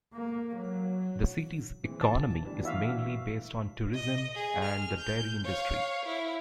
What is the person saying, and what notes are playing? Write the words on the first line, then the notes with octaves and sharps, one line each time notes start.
The city's economy is mainly based on tourism and the dairy industry.
A#3
F#3
E3 G#3 C4
A5
D3 E3 G3
G2 E3 F#4 E5 F5
D#5
G#4
F6
G6
C#5 F5
E4